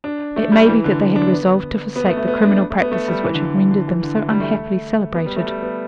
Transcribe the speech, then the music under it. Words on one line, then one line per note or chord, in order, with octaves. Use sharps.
It may be that they had resolved to forsake the criminal practices which had rendered them so unhappily celebrated.
D4
A3
G3
E3
D3
D3
D4
B3
B3
A3
A3
B3
D4
A3
B3
A3
G3
E3
D3
D3
E3
D3
E3
D3
E3
G3
A3
B3
G3
A3
G3
B3